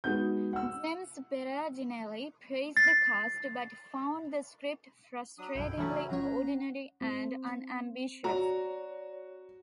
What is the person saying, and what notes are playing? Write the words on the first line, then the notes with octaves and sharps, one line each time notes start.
James Berardinelli praised the cast but found the script "frustratingly ordinary and unambitious".
G#3 B3 D#4 F#4 G6
F#5 E6
A6 C7
F#3 D4 D#6
B1 F#2 E4 G5
C#3 E3 F#3 A3 C#4 E4
G#1 F3 C#4 C#5 F#5 A#5
C4
F#4 C#5 D5 A#5